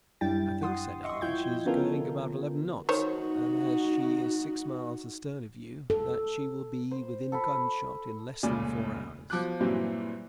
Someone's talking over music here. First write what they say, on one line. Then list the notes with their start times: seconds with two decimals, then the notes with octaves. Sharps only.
"I think," said I, "she is going about eleven knots; and, as she is six miles astern of you, that she will be within gunshot in less than four hours."
0.21 F#2 G3 D4 E4 G5 A6
0.61 F#5 C6 D#6
1.03 D#5 E5 C6 C#6
1.21 F3 E4 F4 G5 G6 G#6
1.65 D3 B3 C#4 F4 A4 A#4
2.89 D#3 D#4 F#4 C5 C#5
5.90 A4
6.91 C5
7.32 A4 A5 B5
8.43 F1 C#2 A#2 C#3 D5 G#5
9.30 B2 F3 D6 F#6
9.60 G2 A#2 E3 F#3 C4